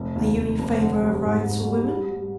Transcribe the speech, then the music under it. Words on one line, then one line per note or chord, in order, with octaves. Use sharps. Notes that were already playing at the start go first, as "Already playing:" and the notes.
"Are you in favour of rights of women?"
Already playing: F1
D#2
F1
F1
D3
G3
G#2
G#2
G3
G3
G3